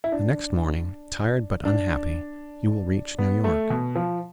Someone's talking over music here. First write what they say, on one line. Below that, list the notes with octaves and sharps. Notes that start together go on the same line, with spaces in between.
The next morning, tired but unhappy, you will reach New York.
E4
D4
D4
B3
A3
B2
F3